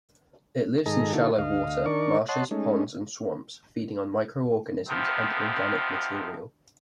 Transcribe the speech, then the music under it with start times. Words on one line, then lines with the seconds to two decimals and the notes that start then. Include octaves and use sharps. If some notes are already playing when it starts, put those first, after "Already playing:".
It lives in shallow-water marshes, ponds, and swamps, feeding on microorganisms and organic material.
0.86 G#2 D#3 G#4 A4 D#5 A#5
1.13 D3 A#3 D#4 E4 F#4 A4
1.38 D2 D#5 F5
1.86 D#3 D4 A#4 D5 C#6
2.29 C#5 D#5 F#5 A5 C6
2.51 G#3 A3 C#4 D#4
4.88 D#2 C3 D#3 F3 B3